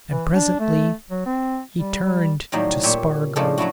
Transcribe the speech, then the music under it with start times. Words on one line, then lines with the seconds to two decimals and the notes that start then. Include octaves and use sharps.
And presently he turned to Spargo.
0.11 E3
0.33 D4
0.60 A3
1.10 F#3
1.26 C4
1.74 G3
2.04 G3
2.52 A2 D#3 F#3 G3 A#3
2.83 A#2 G4 C#5 E5
3.36 A2 C#3 F3 G#3 D4 A4
3.58 F#3 A3 E4 F#4